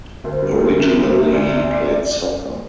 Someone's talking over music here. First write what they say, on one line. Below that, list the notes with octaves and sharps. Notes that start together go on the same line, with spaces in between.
Originally he played soccer.
D2 A#4
C5
G3 A#4
D2
C3
G3
C3
D2 D5
C3